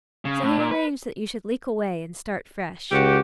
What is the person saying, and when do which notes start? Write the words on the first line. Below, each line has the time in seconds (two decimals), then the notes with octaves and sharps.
So he arranged that you should leak away and start fresh.'
0.25 C#3
0.43 A2
0.59 A#2
0.71 B4
2.92 C#2 F#4 G4